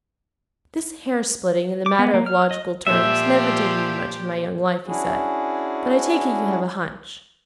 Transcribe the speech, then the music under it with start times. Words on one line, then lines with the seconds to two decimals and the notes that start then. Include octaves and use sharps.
"This hair-splitting in the matter of logical terms never did mean much in my young life," he said, "but I take it you have a hunch."
1.86 D6
1.99 B3
2.14 A#3
2.26 F6
2.51 D#5
2.87 A#2 F3 G4 E5
4.86 C#4 D4 E4 F#4 G#4